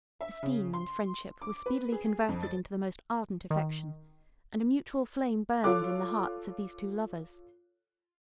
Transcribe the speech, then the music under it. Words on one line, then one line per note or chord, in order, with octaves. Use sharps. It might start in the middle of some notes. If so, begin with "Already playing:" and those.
Esteem and friendship were speedily converted into the most ardent affection, and a mutual flame burned in the hearts of these two lovers.
E5
C#3
C6
D6
B4
G#4
F2
A6
D#3
F4 A4 C#5 D6 F#6